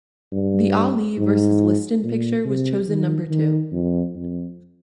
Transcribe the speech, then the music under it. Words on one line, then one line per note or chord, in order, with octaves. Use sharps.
The Ali versus Liston picture was chosen number two.
G2
G#2
A#2
C3
D#3
D#3
F2
F2